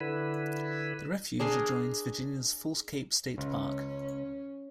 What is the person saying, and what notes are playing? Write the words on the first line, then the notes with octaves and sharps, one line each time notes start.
The refuge adjoins Virginia's False Cape State Park.
D3 E4 B4
D4 G#4 A#4 C6
C#2 C#4